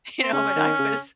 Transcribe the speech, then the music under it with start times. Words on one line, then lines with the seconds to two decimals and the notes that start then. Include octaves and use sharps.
you know, but, I was
0.23 C4
0.33 C#3 C#4
0.56 D#3
0.79 C#3